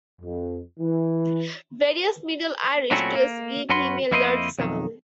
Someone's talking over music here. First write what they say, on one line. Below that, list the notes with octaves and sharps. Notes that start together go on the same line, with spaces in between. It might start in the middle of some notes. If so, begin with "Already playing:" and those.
Various Middle Irish tales give him a large family.
F2
E3
A#2 F#3 A3 C4 C#4 E4
A#3
F#2 C#4 F#4 B4 C6
F2 A#3 E4 C5 D5 D#5
B1 F2 D#3